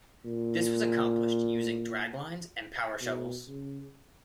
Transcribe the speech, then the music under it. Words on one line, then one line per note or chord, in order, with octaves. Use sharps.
This was accomplished using draglines and power shovels.
A#2
B2
C#3